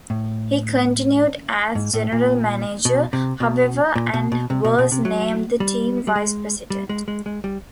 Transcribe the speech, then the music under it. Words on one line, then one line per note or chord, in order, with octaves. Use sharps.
He continued as general manager, however, and was named the team vice president.
A2
G#2
A2
A#2
B2
C3
B2
A#2
B2
B2
C3
B2
B2
C3
F#3
G3
G3
G#3
G3
G#3
G#3
G#3
G3